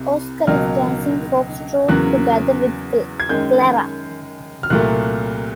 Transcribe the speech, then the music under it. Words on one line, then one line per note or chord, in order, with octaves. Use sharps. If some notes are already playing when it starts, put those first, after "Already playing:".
Oscar is dancing foxtrot together with Clara.
Already playing: C2 C3
C#2 B2 F#3 A#3 F6
E2 C#3 F#3 A#3 F#6
G#6
F#2 D#3 G#3 G6
F6
C2 A#2 F#3 A3 F#6